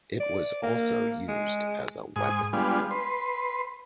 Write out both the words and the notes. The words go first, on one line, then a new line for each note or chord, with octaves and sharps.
It was also used as a weapon.
D5
A#3
G#3
G#2 G#5 D#6
G3 G#3 B3 D4 F4
B4 C6